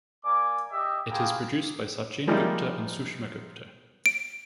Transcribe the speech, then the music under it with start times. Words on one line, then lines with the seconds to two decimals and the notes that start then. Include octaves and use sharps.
It is produced by Sachin Gupta and Sushma Gupta.
0.24 A#3 D5 G#5 D6
0.71 G4 D#5 E5
1.09 B3 F4 G4 G#4 A#4 G5
2.28 F3 G3 G#3 A#3 D#4 E4
4.06 D7